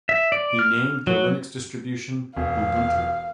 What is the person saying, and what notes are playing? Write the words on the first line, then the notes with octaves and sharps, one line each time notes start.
He named the Linux distribution Ubuntu.
E5
D5
F6
F#3
E1 F5